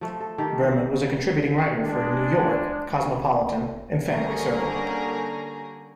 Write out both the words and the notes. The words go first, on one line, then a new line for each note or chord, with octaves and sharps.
Berman was a contributing writer for "New York", "Cosmopolitan" and "Family Circle".
F3 A3
A4
D#3 G4 A4
C4
G#3 D4
D3 G3 A#3 C#4 G#4 A#4